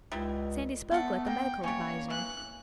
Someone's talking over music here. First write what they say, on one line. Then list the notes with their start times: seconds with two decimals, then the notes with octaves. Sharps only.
Sandy spoke like a medical adviser.
0.12 C#2 G3 D#4 E4
0.91 A3 B3 F#5
1.27 A#3 G5
1.64 G3 A#3 C#4 C#5
2.10 E3 F#6